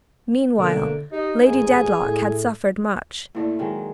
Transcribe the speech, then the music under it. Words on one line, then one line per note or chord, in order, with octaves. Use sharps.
Meanwhile Lady Dedlock had suffered much.
B2 D3 A3 A#3
D#4 G4 D#5
A1 G#2 G#4
A2 A3
A2 A3 A#3 E4 D5
D#3 F#3 G#3